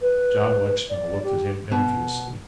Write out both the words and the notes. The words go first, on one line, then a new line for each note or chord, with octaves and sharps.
John Lexman looked at him enviously.
B4
D5
G4
B2